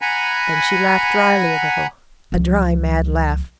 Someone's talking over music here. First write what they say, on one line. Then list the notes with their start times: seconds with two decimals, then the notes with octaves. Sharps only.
Then she laughed dryly a little--a dry, mad laugh.
0.02 F#5 G#5 A#5 B5
2.32 C#2 F3